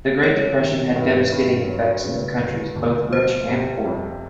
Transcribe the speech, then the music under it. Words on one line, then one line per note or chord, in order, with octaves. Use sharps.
The Great Depression had devastating effects in countries both rich and poor.
G#3 C#5
D#3
G2
G2
F#3
C#3
D2
D2
F3 C5
C3
F2